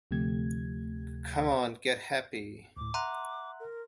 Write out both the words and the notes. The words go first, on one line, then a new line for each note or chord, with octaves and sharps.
Come On Get Happy!
D2 C3 F3 A3 G4 G#6
D2 A2 D6
E5 F#5 A#5 C6 F#6
A#4